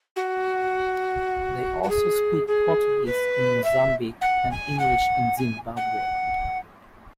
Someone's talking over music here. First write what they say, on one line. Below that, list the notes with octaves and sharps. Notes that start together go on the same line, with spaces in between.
They also speak Portuguese in Mozambique and English in Zimbabwe.
F#4
F#4
G#4
G#4
B4
E5
F#5
G#5
F#5
G#5
F#5